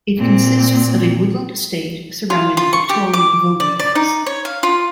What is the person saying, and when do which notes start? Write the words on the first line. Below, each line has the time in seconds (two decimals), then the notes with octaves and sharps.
It consists of a woodland estate surrounding the Victorian Vogrie House.
0.18 A#2 C4
2.30 F4
2.57 F4
2.73 C#6
2.89 G4
3.13 D6
3.60 D5
3.80 D5
3.95 D#4
4.26 C#5
4.45 F5
4.63 F4